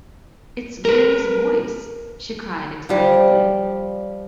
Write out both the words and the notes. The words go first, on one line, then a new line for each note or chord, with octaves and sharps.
"It's Gary's voice," she cried excitedly.
A#4 B4
F3 G3 D5